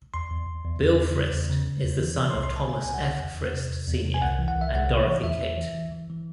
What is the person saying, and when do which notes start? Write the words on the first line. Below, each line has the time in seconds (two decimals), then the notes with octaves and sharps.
Bill Frist is the son of Thomas F. Frist, Senior and Dorothy Cate.
0.14 E2 C6
0.31 E2
0.47 E2
0.65 E2
0.81 E2
0.99 E2
1.16 C#3
1.33 E2
1.50 C#3
1.66 C#3
1.84 E2
2.00 E3
2.18 C3
2.31 C6
2.34 C2
2.43 C6
2.52 C3 A5
2.68 D#3 G#5
2.84 C2 G#5
2.94 F#5
3.03 D#3
3.19 E2
3.37 E2
3.54 C3
3.70 E2
3.87 E2
4.05 C3
4.14 G#5
4.22 C2 F#5
4.39 E3
4.48 F#5
4.56 C2
4.61 E5
4.73 C2 F#5
4.90 C3
5.07 E3
5.23 E2 E5
5.42 E2
5.58 E3
5.75 E3
5.92 E3
6.10 E3